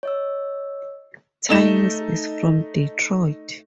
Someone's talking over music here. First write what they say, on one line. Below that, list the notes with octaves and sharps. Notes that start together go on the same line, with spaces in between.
Tynes is from Detroit.
C#5 D#5 E6
A3 D#4 E7